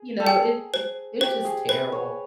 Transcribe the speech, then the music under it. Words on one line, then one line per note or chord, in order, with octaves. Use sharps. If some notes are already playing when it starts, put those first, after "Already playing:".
You know, it it's it's just terrible.
Already playing: G#4
A4
G#4 G5
C5
G4 C5
G#4
B4 C5
C#5